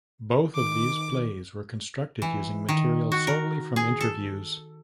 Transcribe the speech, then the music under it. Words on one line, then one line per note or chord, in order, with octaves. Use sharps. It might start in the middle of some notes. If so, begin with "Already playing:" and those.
Both of these plays were constructed using material solely from interviews.
D#3 D6
E3
D#3
F#4
A#4
G#4
A4